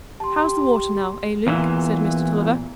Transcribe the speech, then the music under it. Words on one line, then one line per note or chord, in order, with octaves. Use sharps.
"How's the water now, eh, Luke?" said Mr. Tulliver.
G4 A5 C6
E2 A#2 E3